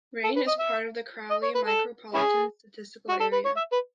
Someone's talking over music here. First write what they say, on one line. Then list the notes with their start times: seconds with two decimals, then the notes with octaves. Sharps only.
Rayne is part of the Crowley Micropolitan Statistical Area.
0.24 A4
0.36 B4
0.48 D#5
0.59 E5
1.31 D#5
1.43 C#5
1.55 B4
1.67 A4
2.14 C#4 E4 G#4
3.09 F#4
3.20 A4
3.33 B4
3.45 C#5
3.56 E5
3.72 B4